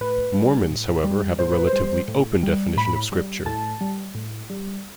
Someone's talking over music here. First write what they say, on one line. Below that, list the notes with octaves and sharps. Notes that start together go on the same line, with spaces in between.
Mormons however have a relatively open definition of scripture.
A2 B4
G3
A2
G3
A2 C5
B4
C5
G3
A2
G3
A2 B5
G3
A2 A5
G3
A2
G3